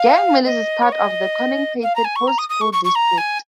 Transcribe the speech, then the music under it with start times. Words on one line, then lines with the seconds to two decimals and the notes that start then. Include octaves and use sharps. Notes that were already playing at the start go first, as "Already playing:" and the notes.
Gang Mills is part of the Corning-Painted Post School district.
Already playing: F5
0.46 D#5
0.83 C#5
0.92 D#5
1.83 F5
1.96 A#5
2.04 G#5
2.16 C#6
2.27 A#5
2.38 D#6
2.49 D#6
2.61 C#6
2.73 C#6
2.85 C#6
2.95 A#5
3.18 G#5